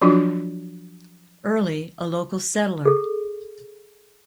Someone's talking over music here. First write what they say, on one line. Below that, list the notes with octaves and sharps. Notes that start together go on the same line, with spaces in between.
Early, a local settler.
F3 F#3 D4 F4 F#4
G#4 A4